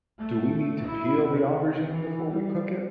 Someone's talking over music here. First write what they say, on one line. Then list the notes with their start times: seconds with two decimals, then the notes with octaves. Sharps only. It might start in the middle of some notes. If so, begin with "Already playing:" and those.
Do we need to peel the aubergine before we cook it?
0.18 A3
0.85 E4
1.29 C3
1.91 E3
2.31 G3